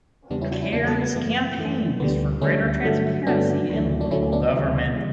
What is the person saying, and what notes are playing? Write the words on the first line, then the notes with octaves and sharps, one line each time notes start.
Cairns campaigns for greater transparency in local government.
E2 C#3 G3 B3 D4
C#4 E4
D4 F#4
C#4 E4
E2 C#3 G3 B3 D4
F#4 A4
B3
F#2 E3 A3 B3
F#2 E3 A3
D2 D3 G3 B3
D2 D3 G3 A3 C#4
G2 D3 F#3 A3
G2 D3 F#3 A3 B3 D4
D2 D3 F#3 A3
D4
D2 D3 F#3 A3 C#4 E4
B3 D4
D2 C#3 E3 G3
C#3 E3 G3